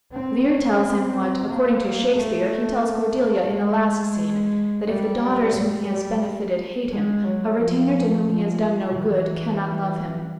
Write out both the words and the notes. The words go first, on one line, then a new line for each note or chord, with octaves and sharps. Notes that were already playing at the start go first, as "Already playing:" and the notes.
Leir tells him what, according to Shakespeare, he tells Cordelia in the last scene, that, if the daughters whom he has benefited hate him, a retainer to whom he has done no good can not love him.
C4
C#4
C4
A#3
A3
G#3
G3
G3
G3
G#3
F#3
F3
F3
E3